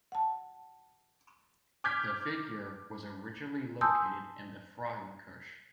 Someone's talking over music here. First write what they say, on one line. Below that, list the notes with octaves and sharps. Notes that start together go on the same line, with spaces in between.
The figure was originally located in the Frauenkirche.
F#5 A5
D6 F6 G6 G#6 B6
G#5 A5 C6 D#6 E6 G6